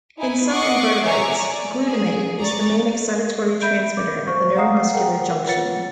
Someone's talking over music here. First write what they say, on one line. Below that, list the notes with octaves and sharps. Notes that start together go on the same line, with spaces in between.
In some invertebrates, glutamate is the main excitatory transmitter at the neuromuscular junction.
D#4 E4 G#5
D#5 F#5 C#6 D6 C7
C#5 E5 G#5 A#5 C#6 D6
D5
G#4
D5 A#5 C#6 A6
E5 B5 G6 D7
D6
C5 C#6
F5 F#5 A#5 D#6 C7
G#4 A#4 F#5 G5
F4 B4 C#5 F#5 A6 C#7